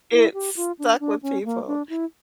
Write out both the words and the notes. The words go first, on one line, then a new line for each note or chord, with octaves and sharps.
It stuck with people.
E4
G4
F4
D4
D4
C#4
A#3
D4
E4